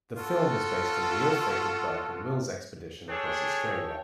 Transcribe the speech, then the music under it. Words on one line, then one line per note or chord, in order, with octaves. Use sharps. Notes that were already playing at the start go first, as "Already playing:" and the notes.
The film is based on the ill-fated Burke and Wills expedition across Australia.
F4 F#4 A4
D4 G#4 A4 C#5 G5